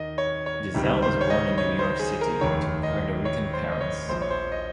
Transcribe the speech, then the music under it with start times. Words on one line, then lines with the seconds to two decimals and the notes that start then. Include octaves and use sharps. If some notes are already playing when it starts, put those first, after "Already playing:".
Gisselle was born in New York City to Puerto Rican parents.
Already playing: D#2 D#3 D#5
0.18 C#5
0.46 C#5
0.74 C#2 C3 D#3 G3
1.02 C5
1.21 C#5
1.30 D#5
1.58 C#5
1.79 C5
1.99 G#4
2.21 A#4
2.41 F1 D#2 D#3 C#5
2.83 D#5
3.25 C#5
3.53 C5
3.72 D#5
3.81 C#5
4.09 A#1 A#2 F3 C5
4.22 C#5
4.30 C5
4.52 D#5